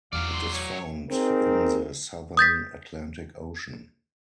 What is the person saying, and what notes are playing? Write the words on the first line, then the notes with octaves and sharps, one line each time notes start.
It is found in the southern Atlantic Ocean.
E2 F#3 E4 D5 F5
C6
C#5
C4 D#4 G#4 A#4
D#6 G6 A6 B6